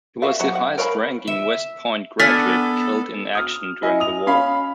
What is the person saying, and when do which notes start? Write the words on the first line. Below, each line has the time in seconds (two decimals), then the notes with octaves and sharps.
He was the highest ranking West Point graduate killed in action during the war.
0.22 F#4 E5 F5
0.40 F#3 F#4 F#5
0.55 F#5
0.78 A#4 C#5 F5 G5 B5
1.27 E5
2.19 B3 D4 A4 F#5 G#5 F6 A6 B6
3.35 D#6 F6
3.82 E4 D#5 G#5
4.00 D#6 F7
4.27 C#4 F5 B5